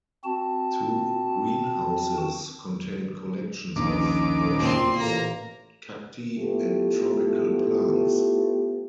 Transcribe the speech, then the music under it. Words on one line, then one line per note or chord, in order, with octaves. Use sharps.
Two greenhouses contain collections of orchids, cacti, and tropical plants.
C4 F#4 A5
A#1 D#2 C#4 D6
A#2 C#3 C4 C6
A1 A#3 A#5
A3 B3 E4 F4 G4